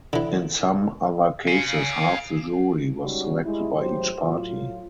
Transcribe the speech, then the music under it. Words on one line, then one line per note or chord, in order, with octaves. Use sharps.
In some other cases half the jury was selected by each party.
D3 E3
F5 G#5
G3 G#3 C#4 D#4 F#4
G3 G#3 E4
G#1 F#3 A3 G4 C5
A2 F#3 F4